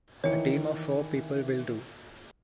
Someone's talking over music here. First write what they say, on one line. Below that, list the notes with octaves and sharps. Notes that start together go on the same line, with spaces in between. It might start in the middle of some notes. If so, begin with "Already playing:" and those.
A team of four people will do.
D#3 E3 C#5 C#7